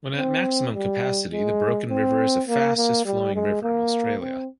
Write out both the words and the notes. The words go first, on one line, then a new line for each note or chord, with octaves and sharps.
When at maximum capacity, the Broken River is the fastest flowing river in Australia.
C4
G3
G#3
C4
A#3
A#3
G3
G#3
A#3
C4